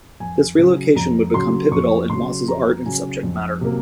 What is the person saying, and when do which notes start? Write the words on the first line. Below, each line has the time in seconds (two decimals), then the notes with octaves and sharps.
This relocation would become pivotal in Moss' art and subject matter.
0.20 F2 G#5
0.58 C#3 F#3
0.96 F2 A#5
1.34 C#3 F#3 C6
1.71 F2 C#6
2.10 C#3 F#3 C6
2.48 F2 A#5
2.86 C#3 F#3 G#5
3.23 F2
3.61 C3 F#3 A#3